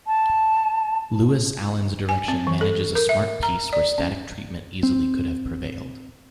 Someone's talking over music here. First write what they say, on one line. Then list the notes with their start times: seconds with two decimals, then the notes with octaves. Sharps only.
Lewis Allen's direction manages a smart piece where static treatment easily could have prevailed.
0.07 A5
2.09 G#5
2.28 C4
2.47 E3
2.61 A4
2.95 A#4
3.09 E5
3.43 A#5
3.73 D5
3.98 C#4
4.83 C4